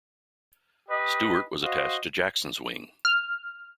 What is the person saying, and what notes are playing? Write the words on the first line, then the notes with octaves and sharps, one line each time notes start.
Stuart was attached to Jackson's wing.
G4 B4 D#5
F#4 C5 D#5 F5
F6